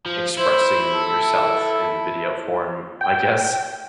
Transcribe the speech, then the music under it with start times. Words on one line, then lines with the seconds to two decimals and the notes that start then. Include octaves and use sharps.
expressing yourself in the video form, I guess?
0.06 F3
0.38 E4 C5
0.94 A4
3.01 G5